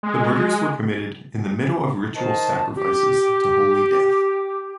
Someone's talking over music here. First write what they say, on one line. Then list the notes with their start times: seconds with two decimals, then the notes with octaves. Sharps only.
The murders were committed in the middle of ritual sacrifices to Holy Death.
0.03 G#3
2.15 D#3 C5 D#5 A5
2.76 G4